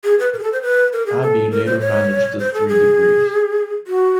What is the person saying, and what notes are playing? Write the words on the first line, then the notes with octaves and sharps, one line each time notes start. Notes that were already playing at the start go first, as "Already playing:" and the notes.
Abbey later managed The Three Degrees.
G#4
B4
A#4
G#4
A4
C5
B4
A#4
G#4
A4
A#4
C5
C#5
C5
A4
G#4
F#4